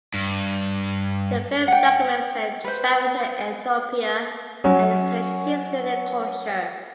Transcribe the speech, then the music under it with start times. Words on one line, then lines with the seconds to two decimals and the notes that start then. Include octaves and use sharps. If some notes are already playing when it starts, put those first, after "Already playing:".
The film documents their travels to Ethiopia and its rich history and culture.
0.14 G2
1.68 F#5 G5
2.64 B4 C5
4.64 F#3 C#4